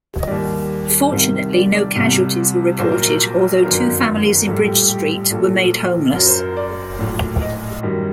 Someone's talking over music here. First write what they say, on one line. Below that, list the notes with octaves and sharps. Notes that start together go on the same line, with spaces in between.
Fortunately no casualties were reported although two families in Bridge street were made homeless.
D#5
D#2 D#3 G3 D5
C2 C3 D#3 G3
D5
D5
C2 C3 G3
A#1 A#2 F#3 C5
A#4
C5
G1 F#2 D#3 F#3 A#4
A#1 A2 G3 A4
G4
G4
A#1 A#2 F#3 A4
F#2 F#3 A#4
C5
A#4
D5
A#1 A2 F#3
D#5
F#2 D#3 G3